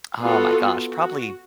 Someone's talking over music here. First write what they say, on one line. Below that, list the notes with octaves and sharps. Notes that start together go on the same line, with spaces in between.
Oh my gosh. Probably
B3 F4 F#4 A4
F#4